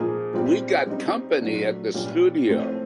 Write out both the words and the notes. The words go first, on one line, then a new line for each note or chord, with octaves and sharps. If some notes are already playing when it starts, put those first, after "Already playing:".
We got company at the studio!
Already playing: A#2 F3 A#3 D#4 G#4
A#2 G3 C4 F4
G3 C4 D#4
A#2 F#3 A3 D4
A#2 G3 A#3 C#4
A2 F3 A3 C4